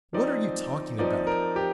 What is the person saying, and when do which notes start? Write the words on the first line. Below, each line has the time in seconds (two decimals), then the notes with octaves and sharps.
What are you talking about?
0.13 F3 C4 D#4 D5
0.99 F3 C4 D#4 D5
1.27 A#4
1.56 G4